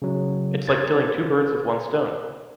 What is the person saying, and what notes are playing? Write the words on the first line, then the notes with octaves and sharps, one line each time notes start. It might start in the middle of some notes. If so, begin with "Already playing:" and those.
It’s like killing two birds with one stone.
C#3 F#3
A#4 C5 G#6 A6